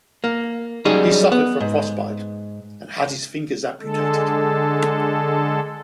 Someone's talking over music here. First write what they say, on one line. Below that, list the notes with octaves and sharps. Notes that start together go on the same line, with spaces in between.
He suffered from frostbite and had his fingers amputated.
A#3
F#3 G3 C#4 D#4 G#4
B3
G#2
D3 G#3 A4